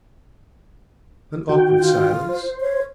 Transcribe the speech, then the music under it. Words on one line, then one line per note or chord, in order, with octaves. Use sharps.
An awkward silence.
D#3 F#4 G5
F4
C5
C#5